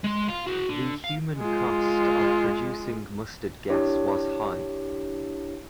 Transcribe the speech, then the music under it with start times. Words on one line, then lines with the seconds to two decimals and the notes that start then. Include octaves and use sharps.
The human cost of producing mustard gas was high.
0.04 G#3 C6
0.28 F5 C6
0.47 F#4 G#4
0.69 D3
1.04 F5
1.38 G#3 F4
3.70 D4 E4 G4 C#5